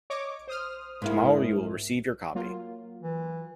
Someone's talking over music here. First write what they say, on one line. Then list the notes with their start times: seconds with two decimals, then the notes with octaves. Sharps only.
Tomorrow you will receive your copy.
0.10 C#5 D#5 D6
0.48 C5 D#6 F6
1.02 G#2 A#3 E4
2.35 F#3 A#3 F4
3.02 E3